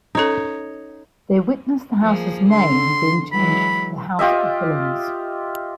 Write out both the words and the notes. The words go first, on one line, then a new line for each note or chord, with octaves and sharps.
They witness the House's name being changed to the House of Villains.
C#4 D#4 A4 C#5
F3 A#3 G#4
D3 C6
E3 F#3 G#3 B5
F4 G4 D#5 E5